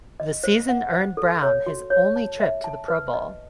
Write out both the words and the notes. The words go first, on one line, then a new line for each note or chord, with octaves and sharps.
The season earned Brown his only trip to the Pro Bowl.
D#5
C5
F#5
C5
A4
C#5
F#4
C#5
A5
E5
A5
B4
D#5